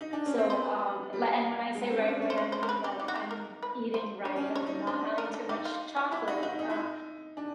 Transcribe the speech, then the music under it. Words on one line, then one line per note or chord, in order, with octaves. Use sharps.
So, um, li and when I say right way, I mean, like, I'm eating right and n not having too much chocolate, uh,
D#4
D4
C#4
C4
B3 C5
G3
G#3
C4
D4
C#4
C#4
C5
C#5
C5
A#4
B4
G4
D#4 G4
F#4
G4
A#4
B4
C5
D4 C#5
C#4
D4
C#5
D#4
D4 C5
A#4
A4
D#4 G4
F4
F#4
E4 G4
D#4 F#4
D#4 F#4
D#4
E4
D#4
D4